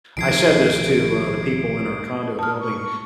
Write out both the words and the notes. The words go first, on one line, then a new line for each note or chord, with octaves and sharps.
I said this to, uh, the people in our condo building,
B1 D#3 F3 G#6 C7 D7
A5 D#6 F6
C#6